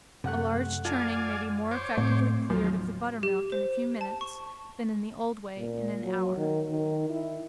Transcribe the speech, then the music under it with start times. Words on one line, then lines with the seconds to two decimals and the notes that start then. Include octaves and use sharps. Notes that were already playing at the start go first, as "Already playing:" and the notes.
A large churning may be more effectually cleared of the butter-milk in a few minutes, than in the old way in an hour.
0.24 F#2 C3 A3 F#5 F#6
0.85 F4 D5 F5 G#5 A5
1.71 C5 C#5 D6
1.98 A2 A3 C4
2.50 D#2 F3 F#3
3.23 G4
3.52 C5
4.01 A5
4.21 C#6
5.57 A#2
6.04 F#3
6.37 D#3
6.70 D#3
7.10 E4